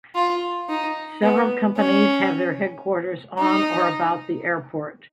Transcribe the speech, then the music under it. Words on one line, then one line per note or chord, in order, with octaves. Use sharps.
Several companies have their headquarters on or about the airport.
F4
D#4
B3
C#4
D#4